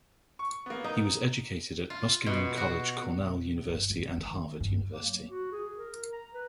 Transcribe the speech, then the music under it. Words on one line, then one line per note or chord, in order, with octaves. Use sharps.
He was educated at Muskingum College, Cornell University, and Harvard University.
C#6
A#3 B3
D#4
F4
B2
F#4
B2
G1
F#3
D#3
G2
A#3
F#3
F#4
G#4
A#4
A#5
B4